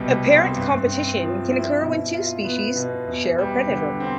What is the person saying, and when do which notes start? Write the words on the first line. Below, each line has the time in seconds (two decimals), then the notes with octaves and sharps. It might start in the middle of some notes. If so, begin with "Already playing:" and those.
Apparent competition can occur when two species share a predator.
Already playing: C2 B2 G3
0.25 C4
0.56 G2
0.88 C4
1.19 F3
1.51 E4
1.82 B2
2.13 F4
2.44 B3
2.76 B2
3.07 E2
3.38 G3
3.69 D3
4.00 C4